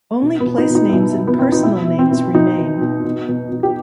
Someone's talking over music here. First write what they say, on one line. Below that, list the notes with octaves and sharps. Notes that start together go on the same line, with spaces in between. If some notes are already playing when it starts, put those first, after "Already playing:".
Only place-names and personal names remain.
B2
B3
B2
D#4
B2
D#4
E4
B2 D#4
B2
B3
B2 C4
D#4
B2 E4
B2
C4
B2
B2 D#4
B2
B2
B2
B2
B2
G4